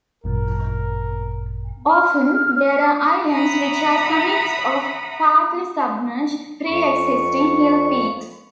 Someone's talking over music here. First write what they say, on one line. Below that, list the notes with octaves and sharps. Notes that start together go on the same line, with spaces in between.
Often, there are islands, which are summits of partly submerged, pre-existing hill peaks.
G#1 F#2 A#2 A#4
F6
E5 F#5 A#5 B5 D#6
F2 C#6